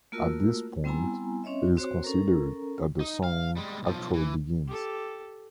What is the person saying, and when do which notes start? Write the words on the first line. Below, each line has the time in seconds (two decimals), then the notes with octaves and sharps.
At this point, it is considered that the song actually begins.
0.12 A3 A#3 F4 F#4 A#4 E6
0.84 G3 B3 C4 E4 G#5 A#5
1.44 C4 C#4 C#5 D#5 E5
1.77 C4 F#4 C5 C#5
2.04 C#4 A4 A#4 A#5
3.00 D#4
3.24 F5
3.57 G3 G#3
3.83 B1 F3
4.13 E3
4.68 G4 A4